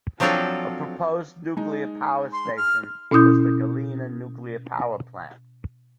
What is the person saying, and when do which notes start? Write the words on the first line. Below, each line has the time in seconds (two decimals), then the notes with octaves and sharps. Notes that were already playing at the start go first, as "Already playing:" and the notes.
A proposed nuclear power station was the Galena Nuclear Power Plant.
0.20 F3 F#3 C4 D4 F4 A4
1.57 G#3 D#4
2.32 C6
2.57 F6
3.11 B2 C#4 E4 D#6 G6